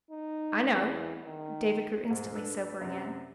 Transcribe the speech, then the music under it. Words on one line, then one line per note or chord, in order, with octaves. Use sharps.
"I know." David grew instantly sober again.
D#4
E2
D#3
G#2
D4 A4 B4
F#2 C3